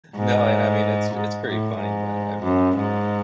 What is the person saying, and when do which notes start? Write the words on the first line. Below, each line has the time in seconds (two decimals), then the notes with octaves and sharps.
No, and I mean, it's it's pretty funny, but I mean
0.16 G#2
1.14 G#2
1.47 A2
1.79 G#2
2.44 F#2
2.77 G#2